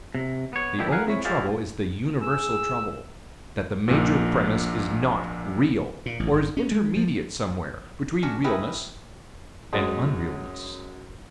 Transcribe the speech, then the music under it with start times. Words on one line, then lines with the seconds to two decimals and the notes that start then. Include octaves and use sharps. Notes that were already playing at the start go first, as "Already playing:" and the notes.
The only trouble is the universal trouble: that the major premise is not real, or is intermediate somewhere between realness and unrealness.
0.15 C3
0.53 B3 C#5
0.78 A#2 D3 D#3 F3 E4 G4
0.91 G#4 A#4 B4 F5 F#5 G#5
1.06 C4 E4 C#5
1.25 E4 F#4 G#4 C5 D5 F5
2.22 G#4 E6
3.88 A#1 A#2
6.06 A#2
6.20 A1
6.33 G1
6.57 C#4
6.71 G#3
6.96 F3
8.23 C#4 D4 F#4
8.44 C#4 E4 B4 D#5 G5
9.73 F#2 G#3